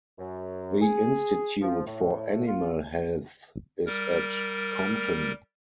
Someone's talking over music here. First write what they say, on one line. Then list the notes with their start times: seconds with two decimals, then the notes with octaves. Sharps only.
The Institute for Animal Health is at Compton.
0.18 F#2
0.81 G#4
1.61 F3
1.86 A2
2.46 F4
3.87 G3 A#4